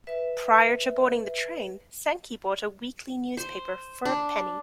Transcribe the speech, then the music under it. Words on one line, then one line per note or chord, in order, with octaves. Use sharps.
Prior to boarding the train, Sankey bought a weekly newspaper for a penny.
B4 E5
C5
D4